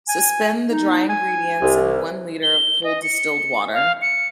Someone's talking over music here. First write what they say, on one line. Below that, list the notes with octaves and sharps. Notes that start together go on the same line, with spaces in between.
Suspend the dry ingredients in one liter of cold distilled water.
G#5
D#4
G#5
C2
G7
D#5
C#7
F5
C#7